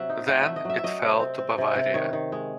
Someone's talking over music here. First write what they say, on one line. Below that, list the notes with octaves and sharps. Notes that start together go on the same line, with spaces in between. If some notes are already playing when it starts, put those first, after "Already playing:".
Then it fell to Bavaria.
Already playing: C3 F#3 E5 F#5
D#4
A3 F#5
A3 E5
D#5
F#3 E5
E5
F#3 D#5
C3
C4
C4
C3
C3
D#3 C#5
D#3
G#3